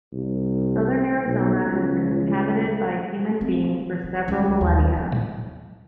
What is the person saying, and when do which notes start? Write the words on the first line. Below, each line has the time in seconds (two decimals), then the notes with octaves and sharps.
Southern Arizona has been inhabited by human beings for several millennia.
0.13 C2
1.26 B1
1.66 C#2
3.41 C4
4.03 C#3
4.28 C#2
4.61 D#2
4.97 F#3